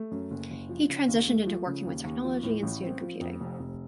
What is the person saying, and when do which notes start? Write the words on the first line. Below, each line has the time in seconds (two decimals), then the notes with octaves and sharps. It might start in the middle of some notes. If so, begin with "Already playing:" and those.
He transitioned into working with technology and student computing.
Already playing: A3
0.11 F#2
0.31 F#1
0.50 F#1
0.69 F3
0.89 C#3
1.08 D#2
1.28 A3
1.47 F3
1.67 C#3
1.85 D#2
2.05 D#2
2.24 F3
2.43 A2
2.63 A1
2.82 C4
3.01 F3
3.21 F2
3.40 F1
3.59 F1